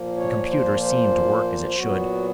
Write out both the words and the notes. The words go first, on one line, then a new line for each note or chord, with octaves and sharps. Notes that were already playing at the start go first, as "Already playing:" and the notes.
The computer seemed to work as it should.
Already playing: A#2 F3 A#3
C#5
C5
C5
A#2 F#3 B3 F#4